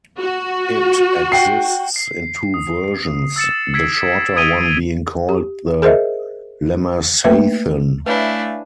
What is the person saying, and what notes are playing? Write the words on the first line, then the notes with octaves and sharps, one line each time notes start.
It exists in two versions, the shorter one being called the "Lammasathen".
F#4
F#5 G5 C7
C7
D#6
C7
E6 A6 C#7 E7
E6 G#6 B6 C7 D7
D#6 G#6 D7 D#7 G7
G4
G#4 A#4 C5 D#5 E5
A3 A#3 B4 E5
A3 D4 E4 B4 C#5 F5 G#5